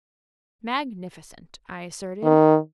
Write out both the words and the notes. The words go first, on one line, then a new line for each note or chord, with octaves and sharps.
"Magnificent!" I asserted.
D#3